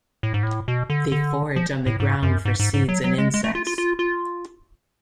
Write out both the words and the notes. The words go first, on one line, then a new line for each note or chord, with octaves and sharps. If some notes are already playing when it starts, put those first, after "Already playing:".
They forage on the ground for seeds and insects.
A2
G#2
A2
B2
D3
D3
F3
A2
G#2
F#2
G#2
G#2
G#2
F#3
F#3
G#3
G#3
A3
F4
F4
F4
F4